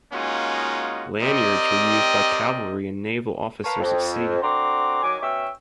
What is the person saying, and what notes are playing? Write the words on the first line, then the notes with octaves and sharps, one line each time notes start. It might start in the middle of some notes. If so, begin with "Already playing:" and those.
Lanyards were used by cavalry and naval officers at sea.
G#3 A#3 C#4 D#4 F4 F#4
C4 G4 A#4 D5 D#5
A#4 B4 C#5 F5 A5
F2
D3 C4 F#4 A#5 C6 D6
D#3 F#3 G#5 D6
B2 C#4 E5 G5 C#6 E6